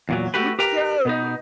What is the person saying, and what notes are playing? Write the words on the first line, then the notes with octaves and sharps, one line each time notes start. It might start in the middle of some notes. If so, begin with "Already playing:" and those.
You were terrible!
E2 A#2 F#3
A3 F#4 G4 B4
G4 A#4 B4 G5 A#5
B2 B3 D#4